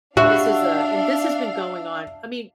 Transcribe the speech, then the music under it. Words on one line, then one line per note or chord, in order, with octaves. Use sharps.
this is a and this has been going on I mean,
D4 F#4 E5 F5